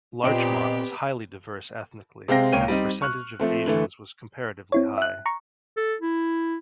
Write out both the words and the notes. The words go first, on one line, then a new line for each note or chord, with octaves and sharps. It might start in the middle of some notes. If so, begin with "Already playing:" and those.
Larchmont was highly diverse ethnically, and the percentage of Asians was comparatively high.
A#2 B3 C4 G4 C5 D#5 G5 D7
C3 G#3 C4 F5 G5 A#6
C#2 A#3 C#5 F5 G5 D#7
G3 C4 D#4
C#6 F6 F#6
F3 A3 C4
D3 E3 A3
C4 E4 C#5
E5 F#6
A#5 C#6
A4
E4